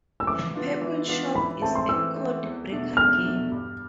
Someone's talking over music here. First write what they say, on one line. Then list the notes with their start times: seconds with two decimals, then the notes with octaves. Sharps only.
Purble Shop is a code-breaker game.
0.20 E6
0.27 E3 D6
0.55 B3 D4 F4
0.81 E3
1.08 B3 D4 F4
1.35 E3 B5
1.62 A3 C4 A5
1.75 C6
1.89 E3 E6
2.16 A3 C4
2.43 E2
2.70 B2 A3 D4
2.97 E2 F6
3.24 B2 A3 D4
3.51 G2